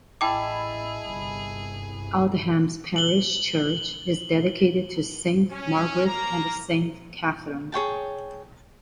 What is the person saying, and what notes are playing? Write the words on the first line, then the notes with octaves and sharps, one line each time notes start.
Aldham's parish church is dedicated to Saint Margaret and Saint Catherine.
A1 E4 G#4 D#5 G5 A5 D6
G1 C2
F#7 G7
C#4
A#3 A#5
G#4 C#5 G5 A5